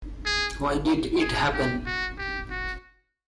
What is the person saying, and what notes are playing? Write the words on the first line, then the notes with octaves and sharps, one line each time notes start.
Why did it happen?
G#4
G#4
G4
F#4
G4
F#4